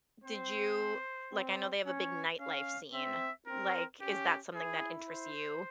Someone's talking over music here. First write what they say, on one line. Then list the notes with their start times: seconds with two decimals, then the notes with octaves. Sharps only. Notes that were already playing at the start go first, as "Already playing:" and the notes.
did you like, I know they have a big nightlife scene. Like, is that something that interests you?
0.24 C4 C5
1.32 C4
1.85 C#4 C#5
2.39 C#4 F5
2.93 C4 E5
3.47 C4 A#4
4.02 C#4 G4
4.55 E4 G#4
5.09 C5